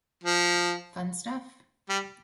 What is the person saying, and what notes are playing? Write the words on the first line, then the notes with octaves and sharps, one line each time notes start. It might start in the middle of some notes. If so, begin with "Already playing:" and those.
Fun stuff.
F3
G3